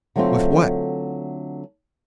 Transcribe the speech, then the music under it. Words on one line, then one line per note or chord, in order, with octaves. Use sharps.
With what?
D3 F#3 A3 B3 C4 F4